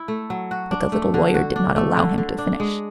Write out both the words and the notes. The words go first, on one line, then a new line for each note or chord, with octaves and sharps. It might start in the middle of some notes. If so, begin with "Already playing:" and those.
But the little lawyer did not allow him to finish.
Already playing: E4
A3
F#3
F#4
D4
A3
D3
F#4
D4
A3
D3
D3
D4
G#3